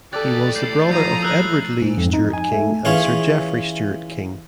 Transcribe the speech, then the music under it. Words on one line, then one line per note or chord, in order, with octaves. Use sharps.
He was the brother of Edward Leigh Stuart King and Sir Geoffrey Stuart King.
G4 A4 D5 D#5 D6 F#6 A6
A2 G6 C7
F3 A#5 D#6 G6 C7
E6 F#6 F#7
G#2
F2
D#4
G#5
A3
E3 C#4 F4 G#4 C#5